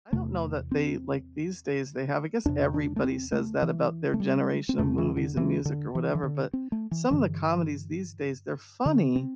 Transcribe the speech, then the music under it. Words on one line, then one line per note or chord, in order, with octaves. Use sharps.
I don't know that they like, these days, they have I guess everybody says that about their generation of movies and music, or whatever, but some of the comedies these days, they're funny,
E2 C3 A3
C4
E2 C3 D4
D4
A3
C4
A3
E3
A3
G3
C4
E2 C3 A3
E3
D3
E3
D3
E3
E3
D3
C4
A3
E3
G2 D3 E3
D3
C4